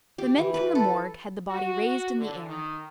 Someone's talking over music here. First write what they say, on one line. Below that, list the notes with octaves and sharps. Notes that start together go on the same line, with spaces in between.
The men from the morgue had the body raised in the air.
G4
E3
B4
A4
F#4
D3
D#3